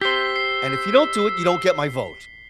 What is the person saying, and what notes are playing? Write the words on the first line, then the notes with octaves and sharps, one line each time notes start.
"And if you don't do it, you don't get my vote."
G4 C5 E6 B6 C7 G7
C7